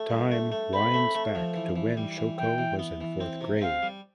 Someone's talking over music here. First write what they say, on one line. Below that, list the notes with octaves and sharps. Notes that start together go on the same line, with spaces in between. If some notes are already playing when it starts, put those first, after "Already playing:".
Time winds back to when Shoko was in fourth grade.
Already playing: A3
G2
A3
A3
C4 B5
A3
A3
F3
E3
E3
G3
E3
E3 G5
E3
B3
E3
C4
C3
C4 F5
G3